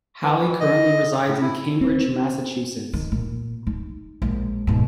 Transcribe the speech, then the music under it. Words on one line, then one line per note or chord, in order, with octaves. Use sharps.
Halle currently resides in Cambridge, Massachusetts.
E3
D#5
A2
E4
C4
D#3
A#2
D#4
A#1 G#3
G#2 B2